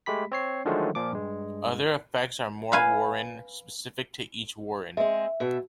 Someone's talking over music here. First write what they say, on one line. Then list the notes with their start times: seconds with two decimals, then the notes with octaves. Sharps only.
Other effects are more warren specific to each Warren.
0.06 G#3 A3 G4 B5 B6
0.32 C4 C#5 C7
0.65 D3 D#3 F3 F#3 G#3 A3
0.95 A#2 F3 D6
1.12 G2 G#3
2.72 B4 F5 G#5
4.97 G#3 C4 E5
5.40 B2 E5